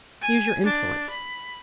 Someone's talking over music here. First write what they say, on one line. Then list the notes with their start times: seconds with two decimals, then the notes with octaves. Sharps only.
Use your influence.
0.22 G#5
0.64 D4
1.10 B5